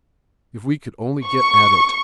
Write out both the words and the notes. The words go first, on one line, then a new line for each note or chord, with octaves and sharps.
If we could only get at it!
C#6